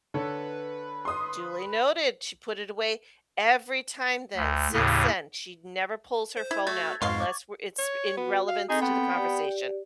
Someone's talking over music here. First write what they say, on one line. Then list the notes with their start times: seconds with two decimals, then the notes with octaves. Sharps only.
"Duly noted." She put it away. Every time then, since then, she never pulls her phone out unless we're it's in relevance to the conversation,
0.14 D3 A4 B4 C#5
1.05 C6 D#6
4.36 D2
4.72 D#2 A2 C#3
6.37 C5
6.51 E4 G#6
6.67 A3 F#4 A6
7.02 F2 G#2 B2 G#3 F5 C6 C#6
7.20 D6
7.78 C#5
8.17 B3 F#4
8.48 F5
8.70 C4 D#4 G#4 A4
8.81 B3 G5
9.15 G4 D5